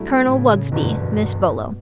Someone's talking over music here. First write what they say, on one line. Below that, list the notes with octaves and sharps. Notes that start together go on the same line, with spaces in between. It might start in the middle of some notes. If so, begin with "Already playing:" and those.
Colonel Wugsby--Miss Bolo.'
Already playing: G2 F#3 A3 E4
A2 C#3
F#1 E2 G2 B2 D3